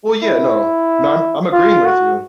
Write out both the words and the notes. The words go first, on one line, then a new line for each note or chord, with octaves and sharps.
Well, yeah, no. No, I'm I'm agreeing with you.
E4
F4
F#4